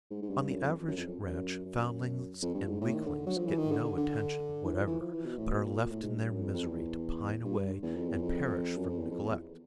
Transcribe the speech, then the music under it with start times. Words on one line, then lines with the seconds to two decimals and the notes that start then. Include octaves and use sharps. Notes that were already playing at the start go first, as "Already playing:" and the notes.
On the average ranch foundlings and weaklings get no attention whatever, but are left in their misery to pine away and perish from neglect.
0.11 G#2
0.22 G#2
0.30 G2
0.50 F#2
0.62 F2
0.88 F#2
0.97 F2
1.07 F2
1.27 F#2
1.65 F#2
2.42 F2
2.55 G2
2.68 G#2
2.81 A2
2.94 D#3
3.06 D3
3.26 F#3
3.37 F3
3.47 E3
3.58 D#3
3.71 D3
3.84 D3
3.97 D3
4.64 E3
4.73 F3
4.87 E3
5.00 F3
5.13 E3
5.26 B2
5.39 A2
5.51 B2
5.64 A#2
5.78 A#2
5.90 A2
6.03 G#2
6.16 G2
6.29 F#2
6.42 F2
6.54 F2
6.67 E2
7.45 G2
7.82 E2
7.95 F2
8.09 E2
8.22 F2
8.77 F#2
8.88 F2
8.99 E2
9.11 F2
9.24 E2